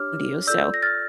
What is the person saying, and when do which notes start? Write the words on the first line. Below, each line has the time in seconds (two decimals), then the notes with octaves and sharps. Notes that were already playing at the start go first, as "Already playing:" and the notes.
you, so,
Already playing: D4 G4 C#5 D6 F6
0.47 F4 A4 D5 E6 G6
0.74 A#6
0.83 F6 A6